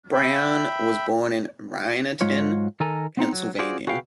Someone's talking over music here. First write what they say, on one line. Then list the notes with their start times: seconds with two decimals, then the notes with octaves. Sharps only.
Brown was born in Reinerton, Pennsylvania.
0.13 E5 G5 B5
2.21 G#2 F#3 G#3 F4 C#5
2.80 D#3 A4 A#4 G#5 A#5
3.17 B3 C4 D#4
3.32 F#3
3.59 F4 F#4 G#4 C5 D5
3.87 F#4 G#4 B4 F5 G5